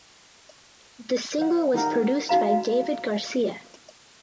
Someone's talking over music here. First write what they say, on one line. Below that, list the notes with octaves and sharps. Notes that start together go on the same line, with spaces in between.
The single was produced by David Garcia.
C5 F#5
D#4 G4 A#4 F#5
D#4 F#4 F5 A#5